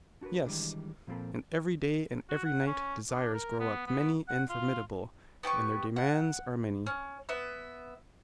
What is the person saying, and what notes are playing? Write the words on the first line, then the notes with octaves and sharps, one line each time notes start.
Yes; and every day and every night desires grow up many and formidable, and their demands are many.
D4 F#4 G4 A#4 B4
D#3 E3 G3 G#3 D4
A#2 F3 A#3 C4 A4 B5
F#4
F#5
C#4
D4
A#4
B3
B3
F#5
F4
B3 G4 G#5 C#6
F#5
C#4
B3 E5